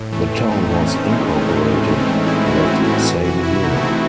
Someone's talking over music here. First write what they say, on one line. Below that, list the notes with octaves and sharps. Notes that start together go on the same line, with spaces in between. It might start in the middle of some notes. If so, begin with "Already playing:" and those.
The town was incorporated that same year.
Already playing: A2
E3 A3
E3 C4
E3 D#4
A2 C#4
E3 C4
A2 G#3
A2 A3
A3
E3 G#3
E3
A2 A3
C4
A2
A3
E3 E4
E3 F#4
A2 F#4
E3 E4
E3 F#4
C3 F#4
E3 E4
E3 D#4
A3
E3 C4